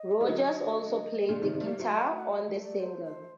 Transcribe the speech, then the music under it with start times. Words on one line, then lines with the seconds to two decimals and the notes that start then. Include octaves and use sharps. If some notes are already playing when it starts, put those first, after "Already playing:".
Rodgers also played the guitar on the single.
Already playing: D#5
0.21 G3
0.28 D3 F#3
0.79 D#5
1.29 A#2 D3 D#5
1.33 D5
1.42 C3 D#3
1.53 C3 D#3
1.61 A3
1.66 G3 A#3
1.79 F#3 A3 C5
1.92 D#5
2.04 F#5
2.17 F#5
2.29 D#5
2.63 D5
2.80 C5
3.05 C5